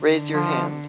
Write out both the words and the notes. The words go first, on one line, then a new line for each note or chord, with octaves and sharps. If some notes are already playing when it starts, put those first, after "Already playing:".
Raise your hand.
Already playing: D3
F3